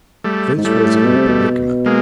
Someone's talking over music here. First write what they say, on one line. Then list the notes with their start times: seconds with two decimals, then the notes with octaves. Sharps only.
Fritz was in a predicament.
0.24 G3 A3
0.58 G#2
0.64 A2 G3 A3
1.04 B2
1.16 C3
1.29 B2
1.86 G#3 A#3